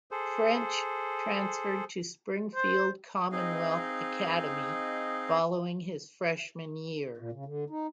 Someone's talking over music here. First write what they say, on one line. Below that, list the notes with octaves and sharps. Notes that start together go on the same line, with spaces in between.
French transferred to Springfield Commonwealth Academy following his freshman year.
G#4 A4 C5
C5
C4 D#4 G#4 D#5 F5
A#2
C#3
D3
D#4